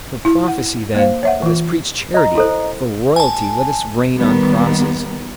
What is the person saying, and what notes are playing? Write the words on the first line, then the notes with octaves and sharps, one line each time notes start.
For prophecy, then, let us preach charity; for Royalty, let us reign on crosses.
E4
F#5
A#3 C5 F5
C#5 E5 F#5
E3 F4
D#5 A#5
E4 A4 C5
G#5 A5
D#3 G3 B3